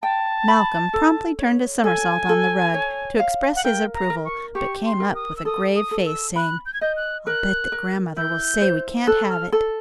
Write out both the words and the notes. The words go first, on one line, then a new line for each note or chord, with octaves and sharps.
Malcolm promptly turned a somersault on the rug, to express his approval, but came up with a grave face, saying, "I'll bet that grandmother will say we can't have it."
G5 A5
B5
A4
C#5
A4 G#5
A4
C#5
F5
F#5
A#4 G5
A#5
A#4
C#6
G4 C#6
C6
A#4
D#6
E6
A4 D#6
D#6
A4
E6
B5 F#6
G6
G#6
D#5 G6
F#6
A#4 F#6
A#4
E4 G6
C5
A4 F#6
F6
A4